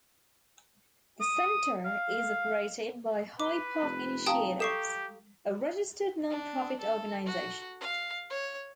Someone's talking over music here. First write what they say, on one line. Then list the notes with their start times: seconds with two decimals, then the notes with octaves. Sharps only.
The Centre is operated by High Park Initiatives, a registered non-profit organization.
1.21 D#6
1.85 F5
3.40 B4 D6
3.82 F1
4.26 G4 F5 G5 A5 A#5 D#6
4.60 G4 A4 C#6 C7 E7
6.30 D4
6.80 A4
7.26 F#4
7.80 F5
8.30 C#5